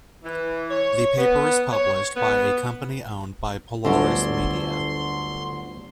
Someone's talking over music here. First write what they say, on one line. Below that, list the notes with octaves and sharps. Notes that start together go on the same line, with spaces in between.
The paper is published by a company owned by Polaris Media.
E3
C#5
B3
C#5
B3
G1 D2 D3 F#3 C#4 C6